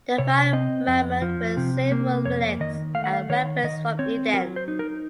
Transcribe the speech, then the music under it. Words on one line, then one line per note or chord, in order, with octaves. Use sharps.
They find Mammon with several relics and weapons from Eden.
C3 C#5
C4 D#5
F2
F3
C3
A#3
F2 C#5
D#3 D#5
A3 F5
F#5
F5
D#3 C#5
D#3 D#5
C4 C#5
F#3 A#4
C5
D#4
A#4